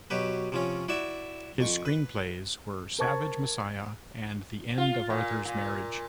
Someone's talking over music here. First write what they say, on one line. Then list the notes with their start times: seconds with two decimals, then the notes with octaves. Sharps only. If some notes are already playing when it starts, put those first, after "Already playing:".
His screenplays were "Savage Messiah" and "The End of Arthur's Marriage".
0.10 B2 F#3 G4 B4
0.52 C3 F3 C#4
0.88 E4 F#4 D5 E5
1.60 F2 C#6
1.86 B4
2.99 A#4 C5 A5 C#6 G#6
4.78 F4
5.10 A#2
5.45 A#2